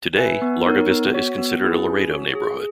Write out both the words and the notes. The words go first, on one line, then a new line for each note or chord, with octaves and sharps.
Today, Larga Vista is considered a Laredo neighborhood.
B4 E5 G#5
B3
D#4 A#4 C#5
B3
F#4 C#5
B3
E4 G#4 B4
C#4
F#4 C#5
G#4